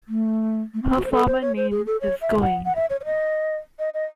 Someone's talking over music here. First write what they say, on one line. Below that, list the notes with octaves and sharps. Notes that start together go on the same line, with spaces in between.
Her former name is Going.
A3
A3
C4
F#4
C5
A4
C5
C#5
C5
G#4
A4
C#5
E5
F#5
F#5
E5
C#5
C#5
D#5
D#5
D#5